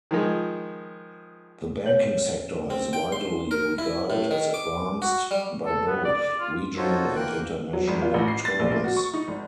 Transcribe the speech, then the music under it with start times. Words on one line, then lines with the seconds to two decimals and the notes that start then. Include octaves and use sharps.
The banking sector is widely regarded as advanced by both regional and international terms.
0.11 D#3 F3 G#3
1.86 C#5
2.70 C4
2.93 G5
3.12 C6
3.51 A#4
3.78 E4
4.10 A2
4.31 D#3
4.54 D6
5.02 F#4
5.31 G3
5.65 A4
5.87 B3
6.05 D5
6.20 D5
6.40 F4
6.77 D#4 F4 F#4 A4 C5 C#5
7.15 D3 E3 A#3 A#4 G5 F#6
7.73 F#3
7.88 G#1
8.02 F4
8.14 A1
8.28 C7
8.45 A6
8.60 A#1
8.72 A#3
8.84 F#4
8.97 C#6
9.14 D#4
9.28 G#1